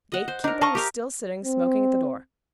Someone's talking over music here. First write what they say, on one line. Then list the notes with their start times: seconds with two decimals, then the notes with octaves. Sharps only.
The gatekeeper was still sitting smoking at the door.
0.12 D#5 F#5
0.28 C5
0.44 D4 D#4 A#4
0.61 D#5 F5 A5 C#6
0.75 G4 A#4 F5
1.45 C4